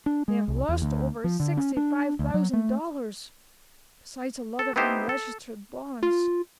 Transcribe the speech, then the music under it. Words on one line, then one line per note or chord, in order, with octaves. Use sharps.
They have lost over sixty-five thousand dollars, besides a lot of unregistered bonds.
D4
G#3
C2
E2
D2
F3
D3
C#4
D4
D2
F#3
A3
A4
B3 C4 D#4 E4 G4 C5
A4
F4